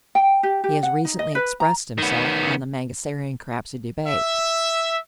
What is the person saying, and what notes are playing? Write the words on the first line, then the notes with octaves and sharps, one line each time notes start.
He has recently expressed himself on the Mangasarian-Crapsey Debate.
G5
G4
G4
F#5
D#4
D#5
B4
A#5
D#3 B3
E5